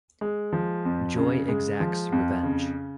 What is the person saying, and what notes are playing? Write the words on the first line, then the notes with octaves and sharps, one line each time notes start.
Joy exacts revenge.
G#3
F3
F2
C#3
G#3
F3
F2
C#3